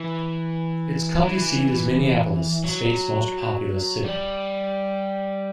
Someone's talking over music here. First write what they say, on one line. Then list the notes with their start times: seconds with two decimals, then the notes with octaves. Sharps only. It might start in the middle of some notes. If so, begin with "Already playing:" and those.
Its county seat is Minneapolis, the state's most populous city.
Already playing: E3
1.23 E3
2.64 F#3
4.04 G3